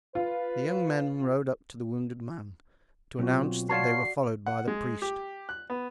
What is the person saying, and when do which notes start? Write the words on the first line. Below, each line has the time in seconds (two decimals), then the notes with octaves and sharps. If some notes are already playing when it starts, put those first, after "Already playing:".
The young men rode up to the wounded man to announce that they were followed by the priest.
0.15 F4 B4
3.19 B1 C4 F4 F#4
3.69 F4 F#4 C#5 D5 F#5 A5 C7
4.46 F#5
4.68 G#3
5.02 G4
5.49 F#6
5.70 B3